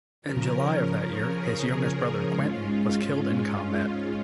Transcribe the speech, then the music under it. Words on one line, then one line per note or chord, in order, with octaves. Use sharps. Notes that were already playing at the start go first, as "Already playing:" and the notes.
In July of that year, his youngest brother Quentin was killed in combat.
C#3 F3 C#4 A#4
A#4
G#4
G#4
G#2 G#3 C#4 F4
F4